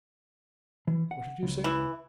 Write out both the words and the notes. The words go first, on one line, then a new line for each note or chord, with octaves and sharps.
"What did you say?"
E3
F#5
C#2
E3